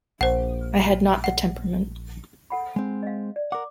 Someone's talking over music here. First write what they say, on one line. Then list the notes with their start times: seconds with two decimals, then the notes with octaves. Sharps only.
I had not the temperament.
0.21 A#1 C5 F#5
1.24 F#5
2.50 A4 F#5 B5
2.76 G#3 C4
3.03 D#5 F5
3.36 D5
3.52 A#4 F#5 D6